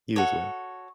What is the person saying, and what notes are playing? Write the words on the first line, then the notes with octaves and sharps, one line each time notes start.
You as well.
F#4 A4 C#5